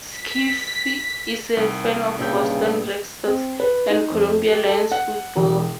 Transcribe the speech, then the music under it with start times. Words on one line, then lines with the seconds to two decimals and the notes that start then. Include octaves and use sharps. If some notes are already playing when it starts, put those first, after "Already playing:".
Schiff is a fan of the Boston Red Sox and Columbia Lions football.
0.15 B6
1.57 C2 D#3
2.19 G2 A#2 C#3 E5 G5
3.26 C4
3.60 B4
3.90 D#4
4.12 F2
4.48 G4
4.65 A4
4.91 F#5
5.37 E1